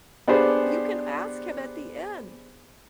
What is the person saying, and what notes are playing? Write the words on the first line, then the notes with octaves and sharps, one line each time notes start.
you can ask him at the end,
B3 D4 G4 G#4 C5